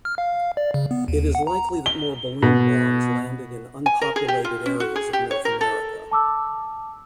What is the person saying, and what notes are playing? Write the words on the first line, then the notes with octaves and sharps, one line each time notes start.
It is likely that more balloon bombs landed in unpopulated areas of North America.
F6
F5
D5
C#3
B3
D#2
F#5
A#5
G7
B2
G#5
A#4
G#4
G4
F4
C#4
F#4
G#4
G4
C#5
A#4
A4
A5 D6 E6